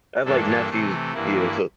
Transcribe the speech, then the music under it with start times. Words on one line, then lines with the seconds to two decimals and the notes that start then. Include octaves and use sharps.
I have, like, nephews. Yeah, so
0.25 G2 E3 A#3 D4 A4
0.69 C3 E3 A3
1.13 G2 E3 A#3 E4